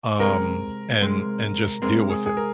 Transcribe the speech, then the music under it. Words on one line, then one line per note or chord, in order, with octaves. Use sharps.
um, and and just deal with it.
C3 G#3 C4 A#4
C3 G#3 C4
C3 G#3 C4 A#4
G#4
G#4
A#4